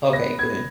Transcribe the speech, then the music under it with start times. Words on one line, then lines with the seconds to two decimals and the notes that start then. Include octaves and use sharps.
Okay, good.
0.13 B3 A#6
0.38 B3 G#6